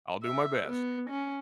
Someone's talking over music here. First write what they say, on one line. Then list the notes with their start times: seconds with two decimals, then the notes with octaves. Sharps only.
I'll do my best.
0.24 E5
0.68 B3
1.10 C#4